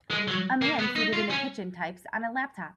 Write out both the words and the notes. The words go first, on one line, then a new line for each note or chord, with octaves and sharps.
A man seated in a kitchen types on a laptop.
G#3
F#3
A#3
B3
D#4
F4
C#4